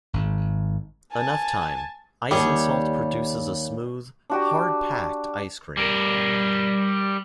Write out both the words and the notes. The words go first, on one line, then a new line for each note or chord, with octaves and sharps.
Enough time, ice and salt produces a smooth "hard packed" ice cream.
G#1
G#5 A5
D#2 B2 G3 G#4 C#5
D4 F#4 G4
G3 A#4